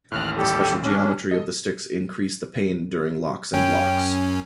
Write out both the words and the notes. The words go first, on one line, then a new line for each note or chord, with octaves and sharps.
The special geometry of the sticks increase the pain during locks and blocks.
A1 D#2 A2 F6 F#6
G3 G4 A4
C#4 D4
E2 A4 D#5
F#2 C#4 G5